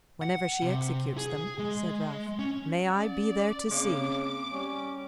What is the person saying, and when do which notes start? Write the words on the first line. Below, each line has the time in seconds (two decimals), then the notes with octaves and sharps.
"Whenever she executes them," said Ralph, "may I be there to see!"
0.22 F#5
0.62 C3
1.17 G#4
1.59 G#3
2.39 C#4
2.90 C#4 D5
3.71 C#3 A#3 C4 D6
4.53 G3 C#4